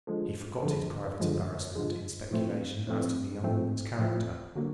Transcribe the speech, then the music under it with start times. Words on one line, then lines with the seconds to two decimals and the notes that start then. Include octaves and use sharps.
He forgot his private embarrassment in speculation as to the young woman's character.
0.07 D3 F3 G#3
0.63 D3 F3 G#3
1.20 D3 F3 G#3
1.75 D3 F3 G#3
2.31 A2 F3 A3 C4
2.87 A2 F3 A3 C4
3.43 A2 F3 A3 C4
3.99 A2 F3 A3 C4
4.55 D3 F#3 A#3